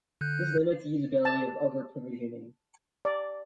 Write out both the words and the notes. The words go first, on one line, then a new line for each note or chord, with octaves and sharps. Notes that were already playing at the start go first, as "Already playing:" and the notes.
This limits usability of over-provisioning.
D3 F#6 G6
A5
D5